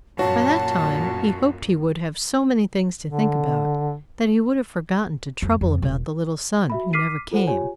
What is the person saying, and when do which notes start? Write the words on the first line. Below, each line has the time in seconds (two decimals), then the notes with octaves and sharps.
By that time he hoped he would have so many things to think about that he would have forgotten to trouble about the little son who never came.
0.19 F#2 A#2 F#4 C#5 A5
3.05 D3
5.42 F2
5.61 F2
5.82 E1
6.70 F#4 E5 B5
6.93 D6 F6 B6 C7 D#7
7.31 F4 A4 C5 F#5
7.47 F4 G4 C#5 G#5